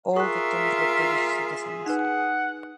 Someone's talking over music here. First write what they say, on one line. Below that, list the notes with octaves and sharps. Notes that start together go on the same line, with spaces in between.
All victims were British citizens.
F4 G#4 A#4 E5 C#6 F#6
D#4 B4 F#5